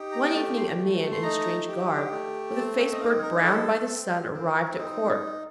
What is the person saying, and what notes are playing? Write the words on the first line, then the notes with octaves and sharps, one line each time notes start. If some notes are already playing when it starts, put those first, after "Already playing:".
One evening a man in a strange garb, with a face burnt brown by the sun, arrived at court.
Already playing: D#4 G4
A#5
G5
A3 A5
C6
A3
C6
D#4 A#5
G4
A3
C4 A5
G5
D#5
D#4 F5
A#4
A4
C4
C4
D#4